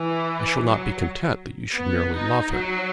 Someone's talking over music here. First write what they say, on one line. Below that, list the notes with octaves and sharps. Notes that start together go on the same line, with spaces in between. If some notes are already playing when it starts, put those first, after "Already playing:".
I shall not be content that you should merely love him.
Already playing: E3
F#3
B3
D#4
F#3